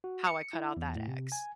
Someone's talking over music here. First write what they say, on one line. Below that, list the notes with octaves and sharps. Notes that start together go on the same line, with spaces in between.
how I cut out that ex.
F#4
C#7
E4
E2
A2
C3
G#5